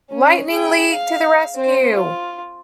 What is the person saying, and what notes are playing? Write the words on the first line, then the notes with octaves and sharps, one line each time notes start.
Lightning League to the rescue!
C#4
G#4 G5
F5
C4 C5
F4